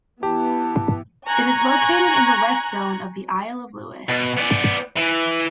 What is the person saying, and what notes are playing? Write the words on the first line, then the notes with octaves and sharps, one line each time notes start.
It is located in the west zone of the Isle of Lewis.
E3 B3 G4 A5
G#5 A#5 C#6 F#6 G#6
B2
B3 D5
E3